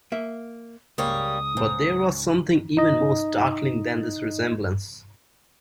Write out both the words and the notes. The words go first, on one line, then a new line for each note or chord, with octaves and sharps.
But there was something even more startling than this resemblance.
A#3 E5
C#2 G3 A#3 C#5 D#6
G#2
D#4 D#5